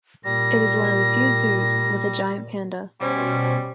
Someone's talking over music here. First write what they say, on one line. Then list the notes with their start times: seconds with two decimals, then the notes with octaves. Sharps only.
It is one of the few zoos with a giant Panda.
0.25 A#2 G3 A#6
3.01 B2 G3 C#4 G4 C5